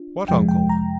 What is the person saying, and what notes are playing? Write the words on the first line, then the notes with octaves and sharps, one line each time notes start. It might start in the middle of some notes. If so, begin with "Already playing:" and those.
"What uncle?"
Already playing: D4 F4
F2 C3 F3 G#3 G5
G5
A#5